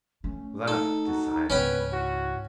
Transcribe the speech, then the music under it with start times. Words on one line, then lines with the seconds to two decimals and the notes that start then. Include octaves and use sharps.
That decided me.
0.24 A3 C#4
0.68 D#4 A4
1.06 F#4
1.50 C#2 G#2 B3 C#4 B4 C#5 G5
1.92 E4 F#4